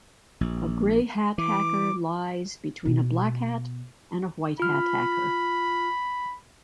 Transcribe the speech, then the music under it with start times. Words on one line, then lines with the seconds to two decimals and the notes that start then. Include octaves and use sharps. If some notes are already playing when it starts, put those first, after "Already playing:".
A grey hat hacker lies between a black hat and a white hat hacker.
0.41 A#1
1.38 E3 D6
2.85 B2 B3
4.60 F4 B5 F6